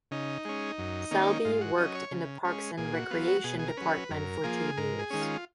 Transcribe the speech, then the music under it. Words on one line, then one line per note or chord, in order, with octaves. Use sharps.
Selby worked in the parks and recreation department for two years.
C#3 D#4
G#3 C#4
F#2
D#3 A#3 C#4
G#2 F4
F#4
F#3 C#4 D#5
C#5
C#3
G#3 C#4
A#2 G#4
F#4
F#3 B3 F4
F#4
B2 G#4
G#4
A#4
F#3 C#4 B4
F#2 A#4
F3 A#3 G#4
G#2 A#4
G#4
D#3 G#3 C#4
F4